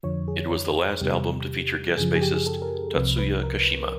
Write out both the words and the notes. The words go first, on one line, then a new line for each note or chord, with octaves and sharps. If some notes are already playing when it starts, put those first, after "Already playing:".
It was the last album to feature guest bassist, Tatsuya Kashima.
F2 D3 F3 C#5
G#4
E2 C3 D#3 G3 G4
F#2 C#3 F3 G#4
G#4
G4
G#4
A4
A#4
C2 C3 F3 B4
B4
A#4